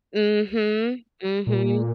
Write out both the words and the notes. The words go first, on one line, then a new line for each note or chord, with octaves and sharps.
Mhm. Mhm.
A#2